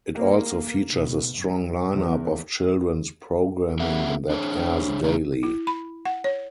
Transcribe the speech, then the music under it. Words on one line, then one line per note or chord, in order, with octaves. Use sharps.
It also features a strong lineup of children's programming that airs daily.
A#3
B2
F#2
E2
A#3 C4 G#4 A4 E5 F#5
D4 G#4 C5 C#5 A5
C#3 A3 D4 D#4
E4
B5
F#5
C#5